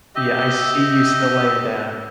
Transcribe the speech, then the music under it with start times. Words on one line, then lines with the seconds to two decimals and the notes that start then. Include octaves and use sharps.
Yeah, "I see you still laying down."
0.15 G4 D#5 E5